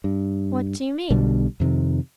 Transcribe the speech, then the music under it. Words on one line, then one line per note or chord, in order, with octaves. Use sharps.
What do you mean?
G2
B1 B2 D3 G3
F2 C3 D#3